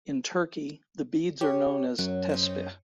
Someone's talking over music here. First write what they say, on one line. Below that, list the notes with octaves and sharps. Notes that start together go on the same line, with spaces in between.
In Turkey, the beads are known as "tespih".
G4 C#5
F#2 F#3
C4 C#4 D#4